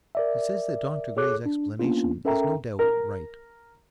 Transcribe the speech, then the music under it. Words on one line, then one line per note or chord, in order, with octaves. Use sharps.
He says that Dr. Gray's explanation is no doubt right.
A#4 D5 E5
G#4 A4 C#5 D6 F#6
D4
A#3 B3 C#4 D4 F4
C#4 A4 A#4 E5 G5 A#5
A#4